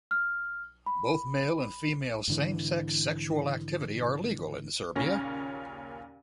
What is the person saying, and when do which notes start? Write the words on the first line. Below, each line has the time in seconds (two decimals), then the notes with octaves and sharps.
Both male and female same-sex sexual activity are legal in Serbia.
0.11 F6
0.86 B5
2.28 G#2 D3 E3
4.95 D#2 A#2 C#3 C#4 G#5 A#6